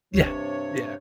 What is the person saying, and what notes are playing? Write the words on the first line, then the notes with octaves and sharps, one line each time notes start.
Yeah, yeah,
G2 C3 C#5